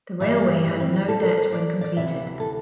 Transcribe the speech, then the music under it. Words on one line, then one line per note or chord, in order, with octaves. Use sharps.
The railway had no debt when completed.
G2 E3 G3
G3
C4
G4
A4
A#4
C5
D5
D5
D2 C3 E3 E5
A4